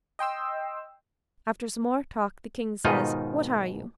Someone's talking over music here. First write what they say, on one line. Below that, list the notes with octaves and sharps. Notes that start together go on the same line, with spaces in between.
After some more talk the king says, "What are you?"
D#5 G5 C6 E6
G#2 B2 D#3 D#4 F4 D#5